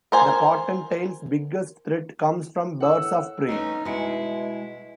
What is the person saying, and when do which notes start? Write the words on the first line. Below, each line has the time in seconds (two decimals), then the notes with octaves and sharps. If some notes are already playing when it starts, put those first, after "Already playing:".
The cottontail's biggest threat comes from birds of prey.
0.12 A#4 C5 G#5
2.80 A2 F#5 E6
3.49 A3 B3 C#4 D#4
3.85 B2 G#3 E4 D#5 C#7 D7